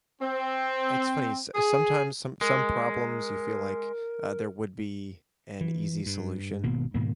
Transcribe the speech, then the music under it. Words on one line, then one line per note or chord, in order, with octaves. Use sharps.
it's funny, s sometimes some some problems you feel like, uh, there would be an easy solution,
C4
G#4
G#3 A#4
E3
G2
G#1 B2 A#3
G#2 B2 D#3 A#3